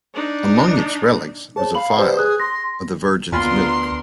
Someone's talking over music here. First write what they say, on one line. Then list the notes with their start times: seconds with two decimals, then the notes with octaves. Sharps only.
Among its relics was a phial of the Virgin's milk.
0.14 D4 D#4
1.56 G#4 C5 C#5 A5
1.75 F5 B5 F#7
1.97 G4 B4 C5 D5
2.17 G#4 D#6 F#6
2.40 C6 A#6
3.32 D2 D3 B3 F4 A#4 C6